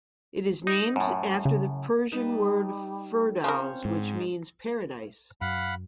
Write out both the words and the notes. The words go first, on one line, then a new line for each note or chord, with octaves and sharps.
It is named after the Persian word "Firdows", which means "paradise".
D#4
F#2 A2
C#3
G3 D#4 B4 A5
F3 C4 C#4 A#4 C5 C#5
G#2
F#2 F5 F#5 B5